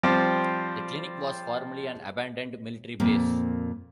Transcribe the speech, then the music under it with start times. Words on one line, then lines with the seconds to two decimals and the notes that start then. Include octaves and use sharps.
The clinic was formerly an abandoned military base.
0.03 F3 G3 C4
3.00 F2 A#2 A#3 C4